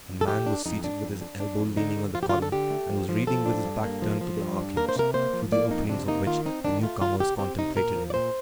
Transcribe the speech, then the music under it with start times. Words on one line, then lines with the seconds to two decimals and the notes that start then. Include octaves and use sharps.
A man was seated with his elbow leaning on the column, and was reading with his back turned to the arcades, through the openings of which the new-comers contemplated him.
0.09 F2
0.21 A4
0.28 A3 G4
0.46 D4
0.65 F2 D#4
0.84 D4
1.03 F2
1.21 D4
1.40 D4
1.59 F2
1.77 D3 D#4
1.96 D3
2.14 F3 F4
2.23 G4
2.30 D3 F4
2.42 A4
2.52 D3 G4
2.70 A3
2.90 F3
3.09 F3
3.27 F3 A4
3.46 D4
3.65 G2
3.84 A#3
4.02 F3
4.21 F3
4.39 G2
4.58 D4
4.76 A#3 A#4
4.89 C5
4.96 C3 A#4
5.14 A#3 C5
5.33 F3
5.52 A#3 D5
5.71 F2 D#4
5.89 C3 D4
6.08 A#3 D#4
6.27 D#3 F4
6.46 C4 D#4
6.64 D#3 D4
6.83 A3 F4
7.02 D#3 F4
7.20 C3 G4
7.39 C4 G4
7.58 C3 D#4
7.77 A#2 A#4
7.95 F3
8.10 D5
8.14 A#2 C5